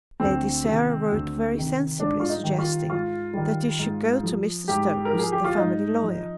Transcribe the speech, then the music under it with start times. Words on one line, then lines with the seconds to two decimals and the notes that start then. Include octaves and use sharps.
Lady Sarah wrote very sensibly, suggesting that he should go to Mr. Stokes, the family lawyer.
0.20 D2 C4
0.65 C3 D#3
1.10 D2
1.54 C3 D#3
1.99 G#2 D4
2.20 F4
2.29 D#4
2.44 D#3 G3
2.59 F4
2.89 G#2 F4
3.34 D#3 G3
3.79 G#2
4.23 F3
4.68 G#2 G4
5.05 A#4
5.13 F3
5.19 G#4
5.32 G4
5.44 F4
5.57 G#2 D#4
6.02 F3